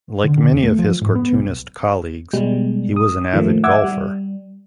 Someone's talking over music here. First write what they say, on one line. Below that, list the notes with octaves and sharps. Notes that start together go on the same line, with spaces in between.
Like many of his cartoonist colleagues, he was an avid golfer.
D3
D3
D#2
A3
F3
G#2
B3
B1
B2 G3 G#3
D#6
A#2 D#3 F3 A3
E5 F#5 D6 E6 G#6
G3